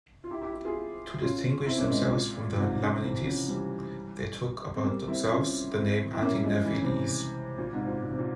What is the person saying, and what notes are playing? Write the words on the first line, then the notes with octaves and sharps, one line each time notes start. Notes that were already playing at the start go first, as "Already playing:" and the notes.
To distinguish themselves from the Lamanites, they took upon themselves the name Anti-Nephi-Lehies.
F4
E4 G4
E4 G4
E4 G4
F4 G#4
C#4 F4
C4 E4
A#3 C#4
G#3 C4
A#2
G#2 C3
A#2 C#3
C3 E3
C#3 F3
E3 G3
C4
G3 A#3
C4 E4
C#4 F4
C4 E4
E4
A#3 C#4
G3 A#3
F3 G#3
F3
E3
C#3
C3 E3
A#2
G#2 C3
A#2
A#2
C3
A#2